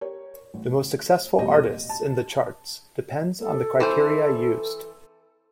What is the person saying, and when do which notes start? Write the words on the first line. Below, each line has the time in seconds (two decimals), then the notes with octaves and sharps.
The most successful artists in the charts depends on the criteria used.
0.01 G4 A#4 C#5
0.54 A1
1.38 D#1 A1 B2 G3 G4 D#5
1.89 A5
3.40 A4
3.80 E3 C4 C5